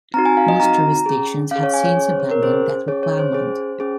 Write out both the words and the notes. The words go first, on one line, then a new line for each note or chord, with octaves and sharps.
Most jurisdictions have since abandoned that requirement.
C4 D#4 F#4 A#5
G#5
F5
D#5
C4 D#4 F#4 A#5
C#4 G#4
C#4 G#4 F5
C#5
G#5
C#5
C#4 G#4
C5
C#5
A#4
C#4 G#4 C5
C#4 G#4 C#5
C#5
C5
C#4 G#4
C#4 G#4